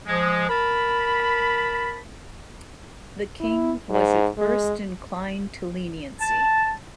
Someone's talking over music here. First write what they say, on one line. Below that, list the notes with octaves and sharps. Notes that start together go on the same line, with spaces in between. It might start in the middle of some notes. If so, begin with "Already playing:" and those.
The king was at first inclined to leniency.
F3 G#3
A#4 A5 B5
E4
G#2
G#3
A5